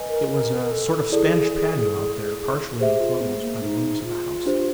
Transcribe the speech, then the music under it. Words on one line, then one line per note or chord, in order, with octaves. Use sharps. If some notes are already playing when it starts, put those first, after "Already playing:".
It was a sort of Spanish patio out there, partially enclosed by the wings of the house.
Already playing: B4 D#5 G#5
A#4
A#4
A#4
A4
E4 G#4 A4 D5
G4 G#4 C5 E5
F4
B3
A3
A#3
D#4
F4
D4 G4 C5